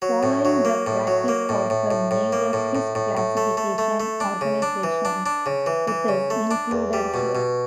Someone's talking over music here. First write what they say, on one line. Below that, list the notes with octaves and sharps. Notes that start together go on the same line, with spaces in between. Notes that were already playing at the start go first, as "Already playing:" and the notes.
Following the practice of the major fish classification organizations, it is included here.
F#3
A2
F#3
A#3
A2
F#3
A#3
A2
A2
A2
A2
A#3
A2
A2
A2
A2
A3
A3
A3
A3
D4
C#3
D4
E3
D4
D4
C#3
E3
E3
C#3
A3
D4
E2
G3
B2
B2